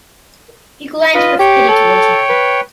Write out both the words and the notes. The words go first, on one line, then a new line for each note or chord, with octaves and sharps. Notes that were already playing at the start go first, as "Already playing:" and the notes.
He glanced with pity towards Harry.
F4 B4 D#5
G4 C#5 G5
A4
B4